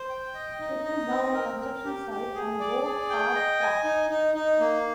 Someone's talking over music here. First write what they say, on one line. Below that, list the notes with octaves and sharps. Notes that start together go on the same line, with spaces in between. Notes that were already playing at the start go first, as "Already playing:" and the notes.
It is now a construction site and go-kart track.
Already playing: C5
G5
D#5
D#4
D#5
C4
A#4
A#4
G4
G4
G#4
D5
G#4
G5
D#5
G#5
D#4
D#4
D#4
A#3